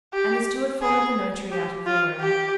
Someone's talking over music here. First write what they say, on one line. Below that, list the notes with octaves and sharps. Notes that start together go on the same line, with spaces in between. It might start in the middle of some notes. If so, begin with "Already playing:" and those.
And the steward followed the notary out of the room.
G4
G#4
G4
F4
G4